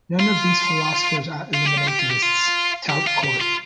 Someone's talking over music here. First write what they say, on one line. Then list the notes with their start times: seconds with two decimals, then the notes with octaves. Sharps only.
None of these philosophers are eliminativists "tout court".
0.20 F4
1.54 F4
1.66 G4
1.77 F4
1.88 G4
1.99 F4
2.11 G4
2.22 F4
2.90 G4
3.07 F4
3.24 G4
3.41 F4